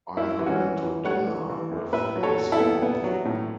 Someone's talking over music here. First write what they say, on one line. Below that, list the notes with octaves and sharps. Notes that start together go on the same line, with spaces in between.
I'm going to dinner with Miss Hall.
F#2 E4
E3
C#4 F#4
E3
E3
A3 C#5 F#5
E3
E3
F#2
A2 B4 E5
F#3
A4 C#5
F#3
E4 A4
B3
B3
F#3
A2